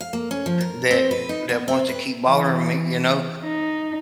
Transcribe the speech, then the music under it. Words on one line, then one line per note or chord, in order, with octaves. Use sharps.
that w that wants to keep bothering me, you know?
F5
A#3
C#4
F3
A#4
C4
B4
D#4
B3
C4
B4
E3
D#4